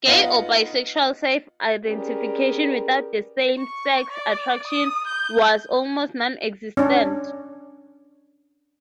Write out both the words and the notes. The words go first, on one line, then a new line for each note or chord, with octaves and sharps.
Gay or bisexual self-identification without same-sex attraction was almost non-existent.
B3 D#4 F4 F#5
C#4 G4 G#4 A#4 B4 D5
C#6
D5
D#6
G6
C#4 D4